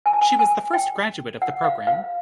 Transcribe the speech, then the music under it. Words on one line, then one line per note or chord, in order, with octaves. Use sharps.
She was the first graduate of the program.
G#5
A5
G#5
G#5
G5
F#5
F5
F5